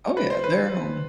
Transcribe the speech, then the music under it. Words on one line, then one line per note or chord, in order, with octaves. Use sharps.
Oh, yeah, they're, um,
B4
C5
B4